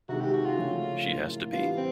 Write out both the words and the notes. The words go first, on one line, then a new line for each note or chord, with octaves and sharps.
She has to be.
C3 D#3 G#3 F#4
G4
F#4
F4
C#3 F3 A3 C#4
A2 F#3 A#3 C#4
E3 G3 B3 D4 F4
C4